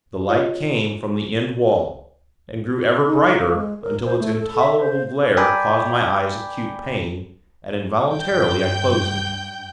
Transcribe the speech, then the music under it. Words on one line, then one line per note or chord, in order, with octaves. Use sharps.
The light came from the end wall, and grew ever brighter until its intolerable glare caused my eyes acute pain, and involuntarily I closed them.
F4 C#5 D#5
D#4
F5
G#3
A#4
C5
A3
A4
E5
C5
D5 G5 G#5 A#5 B5 D6
G2 G5 G6